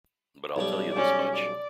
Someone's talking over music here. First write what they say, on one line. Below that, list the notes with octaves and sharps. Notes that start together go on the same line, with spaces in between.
But I'll tell you this much.
B1 B2 G3
C#4 D5
D5